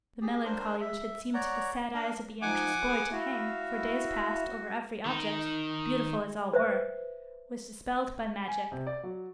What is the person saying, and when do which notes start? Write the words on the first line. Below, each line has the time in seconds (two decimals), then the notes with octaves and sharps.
The melancholy which had seemed to the sad eyes of the anxious boy to hang, for days past, over every object, beautiful as all were, was dispelled by magic.
0.22 G4 G#4
0.45 D4 A#4 C5
0.81 E5
1.34 C#5 D5 F#5 A#5
1.94 A#3 D4 A#4
2.42 F3 D#4 F#5 G#5 D6
2.85 G#4 B4
3.12 E4 F#4 E5 F5
5.06 D#3 D#4
6.53 B4 C5 E5
8.48 G#5
8.72 C3
8.87 D5
9.03 F#3